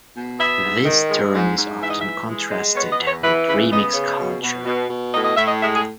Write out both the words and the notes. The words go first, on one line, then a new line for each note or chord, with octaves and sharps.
This term is often contrasted with remix culture.
B2
B3 E5
G#2
D#3
G#3
G#2
G#2
E3 E5
D#5
E5
E3
G#3
G#3
B3 C#5
D#5
E2
C#5
E3 B4
C#3 B4
B3 D#5
C#3
B2
B2
B2
B2
A2 D#5
D#5
A2 E5
D#5
G#3 E5
G#4